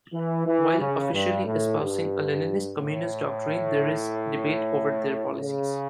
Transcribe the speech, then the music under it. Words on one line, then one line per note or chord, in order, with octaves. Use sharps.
While officially espousing a Leninist communist doctrine, there is debate over their policies.
E3
E3
C#3
G2
A2
G2
A2
C#3